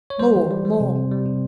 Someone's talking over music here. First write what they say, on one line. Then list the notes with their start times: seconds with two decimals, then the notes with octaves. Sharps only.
More! more!
0.10 C#5
0.19 G3 C5
0.36 E3
0.51 G3
0.65 G3
0.80 C3
0.96 C3
1.11 G3
1.26 C3